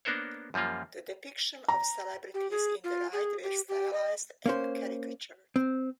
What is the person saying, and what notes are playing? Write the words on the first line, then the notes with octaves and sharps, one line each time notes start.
The depiction of celebrities in the ride were stylized and caricatured.
A#3 B3 D4 A#4 C5 C#5
F#2 F3 G3 A#3 F4
A#5
G4
G#4
F4
G#4
G4
G4
D#5
A#3 C#4 C5
C4